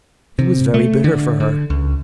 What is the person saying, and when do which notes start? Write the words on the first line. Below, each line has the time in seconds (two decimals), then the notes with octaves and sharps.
It was very bitter for her.
0.39 C3
0.74 A3
1.04 D3
1.40 D3
1.70 C#2